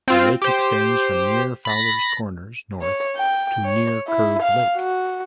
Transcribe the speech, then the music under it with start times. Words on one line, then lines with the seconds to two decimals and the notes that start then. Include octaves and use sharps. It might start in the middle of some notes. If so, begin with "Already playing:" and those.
The lake extends from near Fowlers Corners north to near Curve Lake.
0.08 C4 F4
0.42 G4 C5
1.65 B5 A6 A#6
2.82 C#5
3.17 G5
3.65 C#5
4.08 E4
4.43 F5
4.77 F#4